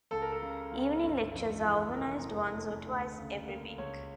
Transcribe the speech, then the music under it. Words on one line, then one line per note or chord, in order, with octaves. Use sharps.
Evening lectures are organized once or twice every week.
C#2 A4
A#4
A4
C#3
C#2
G1
F2
E3
F1 A#4
E2
A3
D2
C#3
A#3
C#2 C#5